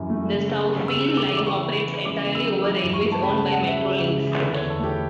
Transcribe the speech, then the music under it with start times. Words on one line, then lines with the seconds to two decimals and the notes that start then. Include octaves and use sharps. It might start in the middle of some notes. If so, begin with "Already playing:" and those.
The Stouffville line operates entirely over railways owned by Metrolinx.
Already playing: F#2 E3 G3
0.10 A3
0.30 C#3
0.49 B3
0.69 G3
0.88 C#3 E6
1.07 G3
1.17 D6
1.27 E3
1.37 D6
1.46 C#3 C#6
1.66 B3
1.86 E3
2.05 C#3 D6
2.25 B3
2.35 E6
2.44 F#3
2.64 E3 D6
2.84 G2
2.93 C#6
3.03 A3
3.12 A5
3.23 C#3 B5
3.38 B3 A5
3.52 F#5
3.62 G3
3.67 E5
3.82 C#3
4.00 C#2
4.20 E3
4.40 D3 B4
4.55 E2 C#5
4.69 A4
4.79 A3 G4